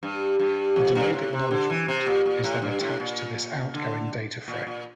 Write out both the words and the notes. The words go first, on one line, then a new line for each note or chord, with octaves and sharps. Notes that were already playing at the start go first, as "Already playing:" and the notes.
The delayed acknowledgement is then attached to this outgoing data frame.
G2
G2
F2
G2
A2
C3
D3
E3
C3
A#2
A#2
A2
G2
A2
A#2
D3
A#2
A#2